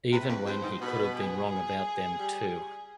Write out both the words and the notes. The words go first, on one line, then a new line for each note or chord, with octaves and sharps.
Even when he could have been wrong about them too.
C3 B4
F2
G2 C5
G#2
B2 B4
G#4
G3